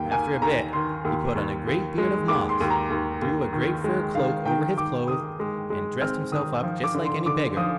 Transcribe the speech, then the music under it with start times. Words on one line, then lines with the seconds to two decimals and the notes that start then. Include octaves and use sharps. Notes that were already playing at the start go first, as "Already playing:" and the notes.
After a bit, he put on a great beard of moss, threw a great fur cloak over his clothes, and dressed himself up just like any beggar.
Already playing: D#2 A#3 G5
0.11 A#3 G#5
0.42 D#2 A#5
0.73 D#3 C6
1.05 D#2
1.35 D#2
1.67 D#2
1.98 G#3
2.28 D#2 D6
2.49 C6
2.60 D#2
2.70 A#5
2.90 D#2
3.22 D#2
3.53 D#3
3.84 G#3
4.15 D#3 F5
4.46 D#3 G5
4.77 D#3 D6
5.08 D#3 D#6
5.40 G#3
5.70 G#3
6.01 C4 F6
6.32 D#3 D#6
6.63 F3
6.84 D6
6.94 D3
7.05 C6
7.26 D3 D6
7.57 F3 D#6